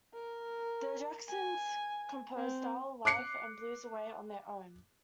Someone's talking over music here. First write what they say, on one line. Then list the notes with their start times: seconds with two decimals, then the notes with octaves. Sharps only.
The Jacksons composed "Style of Life" and "Blues Away" on their own.
0.14 A#4
1.29 G#5
2.36 C4
3.05 D6 F#6 C7 C#7